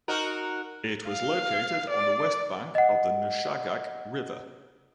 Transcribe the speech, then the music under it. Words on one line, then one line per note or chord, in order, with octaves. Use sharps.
It was located on the west bank of the Nushagak River.
D#4 F#4 A#4
F5
D5
D#5 F#5